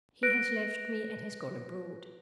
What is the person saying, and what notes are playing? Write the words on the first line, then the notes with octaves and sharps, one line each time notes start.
"He has left me, and has gone abroad."
B4 F#6 A#6 D7